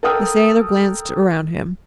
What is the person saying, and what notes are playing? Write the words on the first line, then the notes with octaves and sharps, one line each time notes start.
The sailor glanced around him.
A4 A#4 G5 D#6 F6